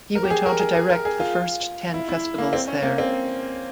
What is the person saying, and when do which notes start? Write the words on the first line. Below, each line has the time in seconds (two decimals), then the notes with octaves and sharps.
He went on to direct the first ten festivals there.
0.15 A#4
0.24 G4
0.30 G#4
0.46 A#4
0.59 G#4
0.75 G#4
0.89 A#4
1.05 G#4
1.20 F4
1.94 E4
2.08 E4
2.38 A#3
2.53 C4
2.68 C#4
2.82 A#3
2.98 C4